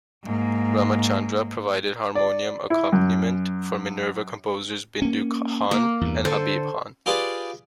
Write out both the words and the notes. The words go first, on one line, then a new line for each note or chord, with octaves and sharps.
Ramachandra provided harmonium accompaniment for Minerva composers Bindu Khan and Habib Khan.
G#2 A#3
D5
E4
F#2
A#3 C#4
A#3
E2 G2
D3 A4 C5
F4 G4 G#4 B4 D5